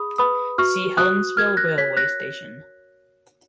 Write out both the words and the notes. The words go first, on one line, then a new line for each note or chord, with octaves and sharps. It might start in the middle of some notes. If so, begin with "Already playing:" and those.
See Helensville railway station.
Already playing: G#4 B5 D#6
B4 B5 D#6
F#4 C#6 F6
F#4 D#6 F#6
A#4 F6 G#6
F#6 A#6
C#5 G#6 B6
F#6 A#6